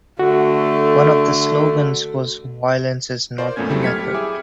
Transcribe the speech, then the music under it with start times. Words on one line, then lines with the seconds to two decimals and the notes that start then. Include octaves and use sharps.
One of the slogans was "Violence is not the method".
0.19 D3 A3 F#4
3.38 F4 A#4 C5 D5
3.56 F2 A#2 A3 B3 C#4 G#6
3.69 F#3 G3 A3 C4 E4
3.83 F6 G#6 B6 C#7
4.00 G4
4.14 E4 G#4 E5 G#5 D6